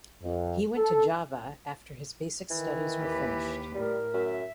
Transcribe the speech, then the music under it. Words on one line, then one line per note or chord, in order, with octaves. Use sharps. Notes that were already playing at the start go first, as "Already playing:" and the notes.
He went to Java after his basic studies were finished.
F2
A4
D#3 E3
D#2 G4 B4
A2 G3 A#4
F#2 E5